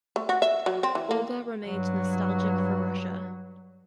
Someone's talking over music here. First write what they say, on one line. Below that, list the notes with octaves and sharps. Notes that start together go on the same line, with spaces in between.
Olga remained nostalgic for Russia.
A3
F#4
E5
F#3
C4
E3
A#3
G2 F#3